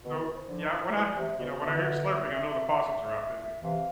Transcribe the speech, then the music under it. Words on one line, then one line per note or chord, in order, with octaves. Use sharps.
So, yeah, when I h you know, when I hear slurping, I know the possums are out there.
B2 D3 B4
C5
D3 F3
E5
D5
C5
A3
E3 G#3 D5
C3 E3 E5
B2 D3 C5
B2 D3 E5
C3 E3 F5